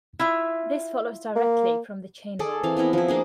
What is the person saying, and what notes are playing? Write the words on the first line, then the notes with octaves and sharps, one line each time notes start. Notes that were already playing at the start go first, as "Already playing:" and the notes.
This follows directly from the chain rule.
E4 F4 E5
A#3
G#4 A4 D5
E3 C4 F5
B3 C4 E4 A#4
F3 E4
A#3 D4 G#4